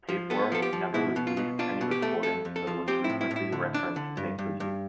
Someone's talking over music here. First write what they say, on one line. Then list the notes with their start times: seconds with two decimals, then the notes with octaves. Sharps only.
Tapeworm never released any recordings, but was frequently referenced in interviews.
0.09 F3
0.30 B3 A4
0.52 F3 A4
0.62 G4
0.73 F3
0.94 B2 E4
1.16 B2
1.27 F4
1.37 B2
1.59 D4 F4
1.81 B2
1.91 G4
2.02 A3
2.23 F2 A4
2.45 F2
2.56 A4
2.67 F3
2.88 C4 G4
3.04 E4
3.10 A2
3.21 E4
3.31 A2
3.36 E4
3.52 D3
3.74 D4
3.96 D3
4.17 G2
4.39 G2
4.60 G2